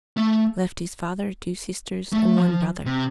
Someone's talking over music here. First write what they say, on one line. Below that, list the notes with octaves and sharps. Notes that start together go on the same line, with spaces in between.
Left his father, two sisters and one brother.
A3
A3
F3
C3